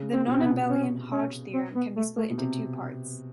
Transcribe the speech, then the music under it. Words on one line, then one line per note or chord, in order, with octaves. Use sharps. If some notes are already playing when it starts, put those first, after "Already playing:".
The nonabelian Hodge theorem can be split into two parts.
Already playing: C#3
C4
B2 C4
C3 B3
B2
C#4
C#4
C4
B3
A3
A3
B2
C3